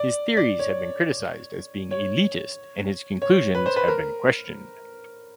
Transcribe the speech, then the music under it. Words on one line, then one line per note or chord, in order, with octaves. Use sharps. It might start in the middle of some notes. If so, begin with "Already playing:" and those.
His theories have been criticized as being elitist, and his conclusions have been questioned.
Already playing: D5
D5
C#5
C#5
C#5
B4
C5
B4
A#4